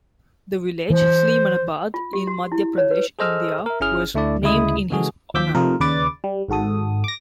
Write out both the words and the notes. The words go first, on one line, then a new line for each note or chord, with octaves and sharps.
The village Sleemanabad in Madhya Pradesh, India was named in his honour.
E3 C5
F4
G4
F#4
E4
C#5
B4
G#4 A4 C5 D#5 E6 F6
A#4 E5
G1 C#4 E4 G#4 F6
D2 A3 D4 E4 D5
D2 C#3 G#3 E4 D#6
C#3 E3 G#3 F#4 G#4 A4
D#2 F3 D6 E6 G6 B6
C3 F3 A3 D#4 F4 A#4
D#2 C#3 B4 D5 D6 A6
G3
G#1 G#2 F#4 A4 D#6
D6 A#6